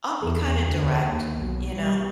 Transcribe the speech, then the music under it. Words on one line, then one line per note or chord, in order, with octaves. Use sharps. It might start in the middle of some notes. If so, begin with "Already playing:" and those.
I'll be kinda direct. You know?
E2
D2
D#2
B1
G3